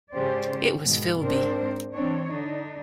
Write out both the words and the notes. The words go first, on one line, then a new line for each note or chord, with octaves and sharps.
It was Philby.
G#2 C#3 C#4 G4 C5 D5
G#2 B2 D#3
G#2 C4 D4 A#4 C5
E3 C4 D4 C#5
D3 D4 D#4